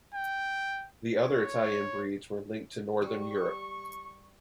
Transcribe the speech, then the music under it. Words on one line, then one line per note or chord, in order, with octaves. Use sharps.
The other Italian breeds were linked to northern Europe.
G5
C#5
G3 C#6